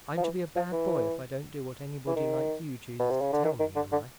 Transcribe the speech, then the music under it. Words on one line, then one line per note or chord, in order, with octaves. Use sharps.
"I'm to be a bad boy if I don't do what anybody like you chooses to tell me, am I?"
F3
E3
F3
E3
E3
D#3
B2
C3
C#3
D3
D#3
D#3
D3
D3